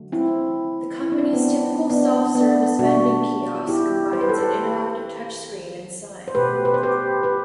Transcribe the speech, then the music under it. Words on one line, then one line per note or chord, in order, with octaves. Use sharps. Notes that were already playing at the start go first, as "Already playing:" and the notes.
The company's typical self-service vending kiosk combines an interactive touch screen and sign.
Already playing: D3 F#3 A3
C4 E4
E4
D4
C4
B3 D4
B3 D4
B3 D4
B2 G3 D4 F#4
E4 G4
C5
B4
A4
G4 B4
C5
B2 A3 G4 B4
B4
C5
G4 B4
G4 B4